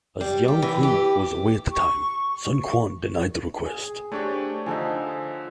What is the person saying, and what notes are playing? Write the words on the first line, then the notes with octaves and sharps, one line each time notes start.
As Jiang Qin was away at that time, Sun Quan denied the request.
G3
G4
E3
G4
C#6
G#4
A3 D4 G4 C5 C#5
D3 F3 D#4 A4 G#5